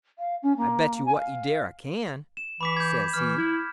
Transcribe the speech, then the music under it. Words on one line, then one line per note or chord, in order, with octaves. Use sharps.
"I bet you what you dare I can," says he.
F5
C#4
A#3
G#5
F5
E7
E3 B5 D6 B6
G6 G#6
E3 F6
E4